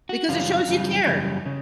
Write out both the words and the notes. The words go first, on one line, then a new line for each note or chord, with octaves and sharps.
Because it shows you cared.
F#4
F#2 C#3 E3 G3 F4
F#2 C#3 E3 G3
F#2 C#3 E3 G3
C#3